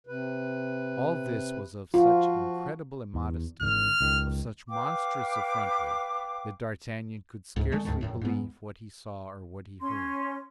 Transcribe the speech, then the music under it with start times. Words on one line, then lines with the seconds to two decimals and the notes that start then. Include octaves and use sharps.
All this was of such incredible immodesty, of such monstrous effrontery, that d'Artagnan could scarcely believe what he saw or what he heard.
0.07 C3 B4
1.94 F3 F4 F#4
3.14 E2
3.61 G#1 D3 E3 F6
4.01 C#2 D#3
4.70 B4 F5 G5 D6
7.56 C#2 G#2
7.72 D3 G#3 A3
7.85 D2 G#2 D#3 A3
8.01 F1 F#2 A2
8.21 G#2 B3
9.80 C#4 C6